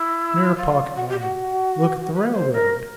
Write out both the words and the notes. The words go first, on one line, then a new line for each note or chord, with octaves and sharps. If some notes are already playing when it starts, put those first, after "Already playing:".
Mere pocket money! Look at the railroad!
Already playing: E4
F4
F#4
G4
F#4
B4
C5
A#4